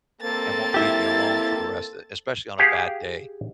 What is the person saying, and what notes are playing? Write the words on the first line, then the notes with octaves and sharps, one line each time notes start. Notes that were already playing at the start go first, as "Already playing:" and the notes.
and won't leave me alone for the rest e especially on a bad day.
A#3 C4 A4 A6
E4 G4
G4 G#4 F5 F#5